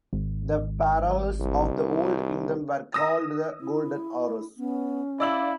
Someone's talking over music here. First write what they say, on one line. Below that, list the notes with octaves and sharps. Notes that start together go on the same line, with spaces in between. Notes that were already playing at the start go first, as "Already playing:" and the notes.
The Pharaohs of the Old Kingdom were called the "Golden Horus".
G#1
C2
D#6 E6 A#6
E4
B3 C#4
E4 D5 F5 E6 F#7